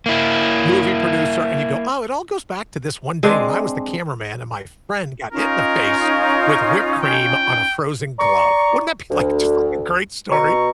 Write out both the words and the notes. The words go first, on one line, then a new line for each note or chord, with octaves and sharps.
movie producer and you go, "Oh, it all goes back to this one day when I was the cameraman and my friend got hit in the face with whipped cream on a frozen glove." Wouldn't that be, like, just like a great story?
A#3 E4
G#3 C4 D4 G#4
C#4 D#4 F4 A#4
G5
D5 A#5 C#6
D2
B2 A#5 C#6